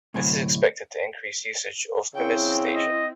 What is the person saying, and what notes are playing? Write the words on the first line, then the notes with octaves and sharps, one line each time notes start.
This is expected to increase usage of Pimisi station.
D2 A2 C3 F#3 G#5
C#3 C4 E4 G5
D#5